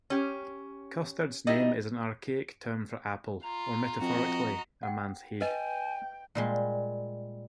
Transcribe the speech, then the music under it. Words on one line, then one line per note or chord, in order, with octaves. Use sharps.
Costard's name is an archaic term for apple, or metaphorically a man's head.
C#4 G4
G3 D#4 E4 D#5
F4 A#5
F2 F#4 D#5
F#5 G5
B4 D#5 G5 G#5
A#2 G3 G#3